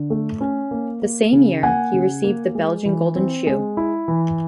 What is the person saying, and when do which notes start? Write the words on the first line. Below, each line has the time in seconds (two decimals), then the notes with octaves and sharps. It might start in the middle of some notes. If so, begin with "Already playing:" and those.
The same year, he received the Belgian Golden Shoe.
Already playing: D3
0.10 A3
0.41 C#4
0.71 A#3
1.02 A#3
1.33 C#3
1.63 A#3 F#5 G#5
1.93 C#3
2.24 A#3
2.55 G#3
2.85 E3
3.16 C4
3.47 G#3
3.77 E4
4.08 E3